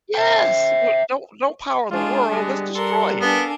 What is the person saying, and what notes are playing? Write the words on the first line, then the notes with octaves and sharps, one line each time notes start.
yes, w don't don't power the world, let's destroy it,
E5 G5
F#2 G#3 D4 F4 G#4
D3 G3 G#3 B3
D4 A4 A#4 F#5 C6
B3 D4 A4 A#4 F5 G#5